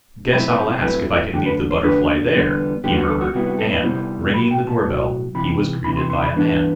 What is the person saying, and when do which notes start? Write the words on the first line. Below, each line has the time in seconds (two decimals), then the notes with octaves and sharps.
"Guess I'll ask if I can leave the Butterfly there," he murmured, and, ringing the doorbell, he was greeted by a man.
0.32 G2 F#3 A3 C4 E4 B5
0.48 B4
0.57 C5
0.73 C5
0.82 G2 F#3 A3 C4 E4 B4
1.33 D2 D3 A3 D4 G4
1.46 B4
1.71 C5
1.83 D2 D3 A3 D4 B4
2.33 E2 D3 G3 B3
2.83 E2 D3 G3 B3 G4
2.96 F#4
3.08 A4
3.21 F#4
3.33 C2 C3 G3 B3 E4 F#4
3.46 F#4
3.59 A4
3.71 B4
3.83 C2 C3 G3 B3 E4 C5
4.34 B1 A2 F#3 B5
4.51 G5
4.67 A5
4.84 B1 A2 F#3
5.35 C2 C3 E3 B5
5.84 C2 C3 E3 B5
5.97 C6
6.10 C6
6.22 B5
6.35 G2 E3 B3 D4